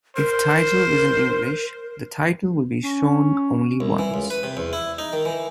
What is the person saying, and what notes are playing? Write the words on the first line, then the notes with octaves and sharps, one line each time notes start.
If title is in English, the title will be shown only once.
A#4 C5
C#4
C2
E3
C#2
B4
C3
E2
E4
D#4
D#3
E3